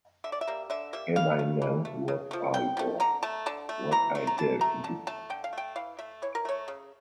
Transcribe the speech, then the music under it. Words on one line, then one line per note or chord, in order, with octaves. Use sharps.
Had I known what I ought, what I dared to do!
D3 E5
D5
E5
G3 A#3
D3 E5
G3 A#3 E5
E3 F5
A3
E3
A3
C#3
F3 A3
C#3 G5
F3 A3
D3 A#5
A3 A5
D3 A5
A3
E3 A#5
A3
A#5
E3 A5
A3 A#5
D3 A5
A3 A5
D3 G5
F5
A3 G5
E3 F5
A3 E5
E3 C#5
A#4
A3 C#5
C#3